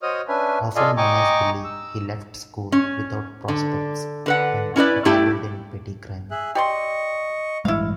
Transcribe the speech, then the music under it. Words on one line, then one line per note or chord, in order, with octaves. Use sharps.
Often known as Billy, he left school without prospects and dabbled in petty crime.
F#4 C5 C#5 D#5 D#6 F6
C#4 D4 B4 E5 G#5
F4 A4 D5 D#5 F5 G#5
D#5 G5 G#5 A#5 C#6 D6
E6
C#4
D3
D3 B4 F#5
C#4 E4 B4 D5
A3 E4 G4
G#4 E5 F#6
G4 D5 D#5 C6 C#6
A1 G2 G#3 E4 F5